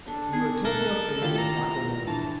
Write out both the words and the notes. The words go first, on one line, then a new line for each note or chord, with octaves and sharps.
We were talking of things of vital moment.
D4 A4
B3 G#4
A4 A#4 F#5 B5
D#3 A3 E4 F4 G4 F5
A#5
A#2 E3 D4 A5